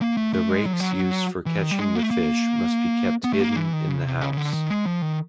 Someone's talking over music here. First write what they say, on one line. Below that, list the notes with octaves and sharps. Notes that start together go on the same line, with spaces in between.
The rakes used for catching the fish must be kept hidden in the house.
A#3
A3
A3
G#3
F#3
F3
F#3
E3
D#3
G3
G#3
A#3
A3
A#3
B3
A3
A#3
E3
D#3
C#3
C3
C#3
C#3
D3
D#3
G#3
F3
D#3